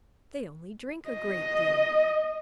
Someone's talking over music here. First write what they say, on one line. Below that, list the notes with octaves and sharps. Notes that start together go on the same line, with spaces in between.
They only drink a great deal.
D#5